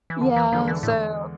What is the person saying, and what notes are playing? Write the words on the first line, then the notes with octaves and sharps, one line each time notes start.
Yeah, so,
E3
E2 D3
E3
D3 F3 G#3 D4 A4
E3
A2